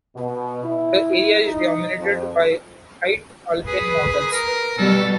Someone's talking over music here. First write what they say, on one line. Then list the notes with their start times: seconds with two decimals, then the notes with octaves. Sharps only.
The area is dominated by high alpine mountains.
0.16 B2
0.64 E4
1.46 D#4
1.99 F2
3.67 G#4 B4
4.32 A#4
4.78 B2 G3 A4